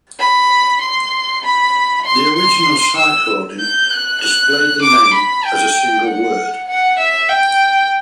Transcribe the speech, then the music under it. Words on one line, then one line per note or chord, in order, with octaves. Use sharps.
The original site hoarding displayed the name as a single word.
B5
C6
B5
C6
C6
E6
G6
F#6
F#6
D6
B5
G5
F#5
F#5
E5
G5